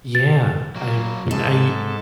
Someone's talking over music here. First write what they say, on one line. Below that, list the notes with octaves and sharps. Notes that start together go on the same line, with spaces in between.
Yeah, I mean, I
A6
F#3 A#3
G#2 G#3 A4